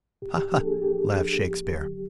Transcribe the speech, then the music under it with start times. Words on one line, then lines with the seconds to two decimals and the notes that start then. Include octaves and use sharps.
"Ha-ha!" laughed Shakespeare.
0.22 A2 G4
0.38 G4
0.52 F3 A#3 D4 G4
0.60 A4
0.67 G#4
0.82 A2 G4
1.12 F3 A#3 D4
1.42 G2
1.72 D3 F#3